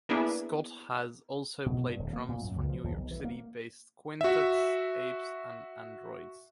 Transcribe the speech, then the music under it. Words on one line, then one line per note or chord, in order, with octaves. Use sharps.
Scott has also played drums for New York City-based quintet Apes and Androids.
A#3 B3 D4 E4 G#4 B4
B2
G2
D#1
A#3
A#2
F#2
C#2
F3
D#2
B1
E3
A#3
F#4 E5